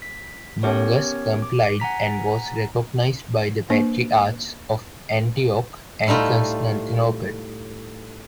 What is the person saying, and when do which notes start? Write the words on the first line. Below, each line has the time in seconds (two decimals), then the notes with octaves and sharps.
Mongus complied and was recognized by the Patriarchs of Antioch and Constantinople.
0.02 B6
0.63 B3 C#4 G4 A#4 C#5
1.42 D6
1.80 F#5 G#5 A#5 B6
3.70 A#3 D4 C5
6.07 A2 G3 A3 D#4 F4